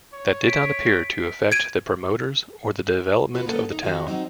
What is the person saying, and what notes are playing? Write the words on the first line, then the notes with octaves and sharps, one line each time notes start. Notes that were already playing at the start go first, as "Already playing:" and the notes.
That did not appear to affect the promoters or the development of the town.
C#5
B6 D7
G#6 D7 D#7
B3 F4 F#4 B4
A#3 B3 C#4 A4
D#4
D#3 F#4 G4
F#3 C4 D#4 D#5